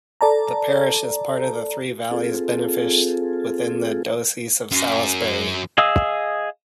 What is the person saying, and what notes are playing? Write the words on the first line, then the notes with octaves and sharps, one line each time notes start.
The parish is part of the Three Valleys benefice within the Diocese of Salisbury.
A4 D5 A5 A#5
C4 F4 G#4 A4
F#2
G#4 D#5 F5 D#6 E6